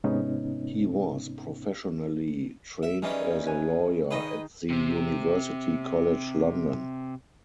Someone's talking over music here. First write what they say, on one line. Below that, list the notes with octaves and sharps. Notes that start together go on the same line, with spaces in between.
He was professionally trained as a lawyer at the University College London.
G#2 C3 B3 C#4 D#4
E5
D#3 E3 F#3 G3 C#4 G#4
B4 C#5 G#5
D#3 D#4 G#4 B4 D#5
C3 C4